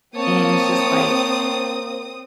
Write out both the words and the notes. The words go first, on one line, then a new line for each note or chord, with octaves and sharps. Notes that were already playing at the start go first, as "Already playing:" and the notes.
and it's just like,
A#3 C4 C#5 A5 D#6